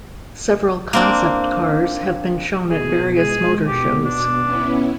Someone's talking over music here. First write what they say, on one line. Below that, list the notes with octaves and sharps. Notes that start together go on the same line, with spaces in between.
Several concept cars have been shown at various motor shows.
A#3 C4 D4
B2 G#4
G#3 G#4
B2 G4
D4
B3 C#4 E4